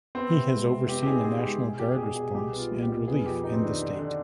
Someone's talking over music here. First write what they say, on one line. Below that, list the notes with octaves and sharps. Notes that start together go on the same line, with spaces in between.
He has overseen the national guard response and relief in the state.
B3 C4
C3
G#3
C3
B3 G4
G4
D#4 G#4
B3 G#4
G#3 G4
B2 G#4
B2 G4
G#4
B2 G4
B2 G#4
C2 G4
B3 F4
C2
G4
B2
B3 G#4
F2 G4
B3 D#4
C4
D#3 D4
D3 D4
D3